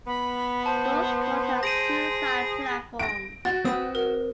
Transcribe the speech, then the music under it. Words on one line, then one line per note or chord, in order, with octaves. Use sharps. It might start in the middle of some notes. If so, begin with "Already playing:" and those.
Northcote has two side platforms.
B3 B5
C5 A5
G#4 A#6 D7 D#7
A#6 D7
F#4 A6
C4 B4 D#6
A#4